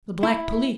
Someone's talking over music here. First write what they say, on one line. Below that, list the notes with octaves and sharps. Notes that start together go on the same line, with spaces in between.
The Black Police.
E4